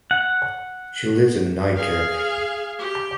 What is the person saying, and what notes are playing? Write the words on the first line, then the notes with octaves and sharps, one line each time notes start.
She lives in Nijkerk.
F#5
G#4 F5
G4